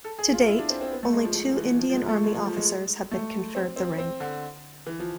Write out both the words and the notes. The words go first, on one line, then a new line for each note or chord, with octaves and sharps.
To date, only two Indian Army officers have been conferred the rank.
A4
G#4
F4
E4
D4
C4
C4
B3
A3
G#3
F3
F3
F3
E3
F3
F3
G#3
A3
G#3
F3
F3
G#3
A3
C4
C4
C4
D3
E3
F3